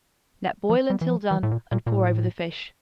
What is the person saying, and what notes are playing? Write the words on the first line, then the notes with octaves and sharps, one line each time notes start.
Let boil until done and pour over the fish.
F3
G3
E3
F3
E3
A2
A#2
A#2
A#2
A2